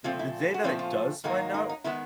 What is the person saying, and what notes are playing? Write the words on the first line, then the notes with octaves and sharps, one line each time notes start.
The the day that it does find out,
A#2 F3 A3 C4 F4
E4
F#4
A#2 F3 A3 C4 F4
F4
G#2 D#3 F#3 A#3
D#4
D#4
D#3 G#3 B3 E4